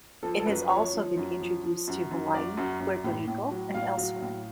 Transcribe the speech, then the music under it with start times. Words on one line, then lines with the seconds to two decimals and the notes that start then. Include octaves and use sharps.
It has also been introduced to Hawaii, Puerto Rico and elsewhere.
0.23 F3 A4
0.40 A4
0.46 F#2 B4
0.69 F3 C#5
0.94 F3
1.17 F#2
1.40 F3
1.63 F3
1.87 F#2
2.11 F#2
2.34 F#2 D5
2.57 F#2
2.80 F#2
3.04 A2
3.27 A2
3.51 F#3
3.74 A2 F5
3.97 F#3
4.22 A2